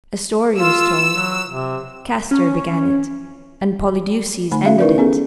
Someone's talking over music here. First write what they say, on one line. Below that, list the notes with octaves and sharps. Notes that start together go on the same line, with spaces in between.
A story was told; Castor began it and Polydeuces ended it.
F4 E6
F#3
C3
C#4
D3 A3 D#4 G#5 B5
C#4 F#4 E5 F5
D#4 E4 A#4 B4 D5
B3 C#4 G#4 A4